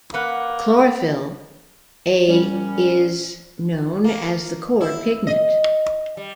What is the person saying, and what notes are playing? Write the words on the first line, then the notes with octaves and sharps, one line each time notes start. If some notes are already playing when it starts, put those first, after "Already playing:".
Chlorophyll "a" is known as the core pigment.
A#3 B4 F#5
A#2 G3 C#4
A#3
E4
D#5
G3